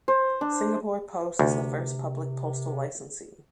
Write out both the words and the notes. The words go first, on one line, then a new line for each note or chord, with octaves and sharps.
Singapore Post is the first Public Postal Licensee.
C5
D4
D2 C3